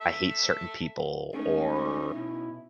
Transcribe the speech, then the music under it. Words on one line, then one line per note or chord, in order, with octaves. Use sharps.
I hate certain people or
A4 E5
G#3 A3 C#4 D#4
B2 E4